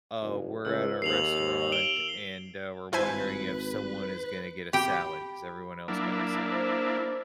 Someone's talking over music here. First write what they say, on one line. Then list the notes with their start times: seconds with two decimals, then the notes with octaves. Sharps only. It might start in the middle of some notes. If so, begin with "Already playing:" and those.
uh, we're at a restaurant and, uh, we're wondering if someone is gonna get a salad, 'cause everyone else got a salad.
0.21 F#1
0.65 C#2 E6
1.02 D#2 C7 F7 F#7
1.72 D7 E7 G7
2.93 G#1 E4 B4 C5 G#5
4.73 G4 G5 B5
5.88 F#3 A#3 D4 E4
6.51 C5